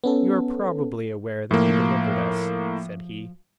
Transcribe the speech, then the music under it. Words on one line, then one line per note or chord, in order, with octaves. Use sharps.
"You are probably aware that he delivered us," said he.
B3 C#4 A4
A2 F3 A#3